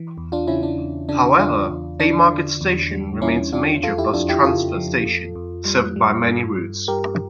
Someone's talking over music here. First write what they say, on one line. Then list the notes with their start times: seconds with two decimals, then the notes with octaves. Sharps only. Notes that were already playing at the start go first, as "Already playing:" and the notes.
However, Haymarket station remains a major bus transfer station, served by many routes.
Already playing: E3
0.18 E2
0.32 D4 F4
0.47 C#3 C#4 E4
0.63 D4
0.78 E2
1.09 C#3 D4
1.39 E2 D4 F4
1.70 E2
2.00 D3 D4
2.30 D3
2.61 E2
2.91 G3
3.22 E2 C#4 E4
3.53 E2 D4 F4
3.83 F2 F4 A4
3.98 E4 G4
4.14 F2 D4 F4
4.29 E4 G4
4.44 C#3 F4 A4
4.74 F3
5.05 F2
5.35 F2
5.65 G3
5.96 G3
6.27 G2
6.57 G2
6.88 G2 G4 A#4